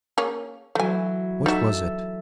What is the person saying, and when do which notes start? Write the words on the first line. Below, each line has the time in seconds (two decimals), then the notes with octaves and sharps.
What was it?...
0.18 A#3 C#4 G#4
0.75 E3 F#3 A3 G#5
1.46 D#4 F#4 A4 E5